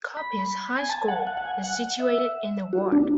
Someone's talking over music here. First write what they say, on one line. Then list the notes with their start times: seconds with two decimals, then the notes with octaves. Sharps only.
Coppice High School is situated in the ward.
0.17 B5
0.79 G#5
0.89 A5
1.08 F#5
1.27 F#5
1.37 F#5
1.46 G#5
1.64 F#5
2.00 E5
2.73 F#4
2.92 D4